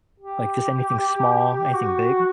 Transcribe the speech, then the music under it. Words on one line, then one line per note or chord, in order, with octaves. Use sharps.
Like, just anything small, anything big?
G4
G4
G4
F#4